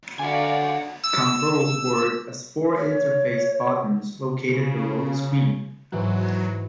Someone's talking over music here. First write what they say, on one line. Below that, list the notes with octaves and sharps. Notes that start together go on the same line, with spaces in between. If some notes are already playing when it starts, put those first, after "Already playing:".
Controls work as four interface buttons located below the screen.
D3 F#4 D5 F5 F#5 G#5
E6
C#5
C#3
G#2 E3 F#3 F#6